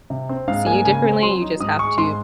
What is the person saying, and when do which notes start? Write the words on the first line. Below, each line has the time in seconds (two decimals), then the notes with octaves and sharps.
see you differently. You just have to
0.10 C3
0.29 C4
0.48 G#2 F5
0.66 A#3 G#5
0.85 C#3 G#5
1.04 C4
1.22 F#3 C6
1.42 D#4
1.60 G#2 D#6
1.79 G#3 C#6
1.98 G#2 C6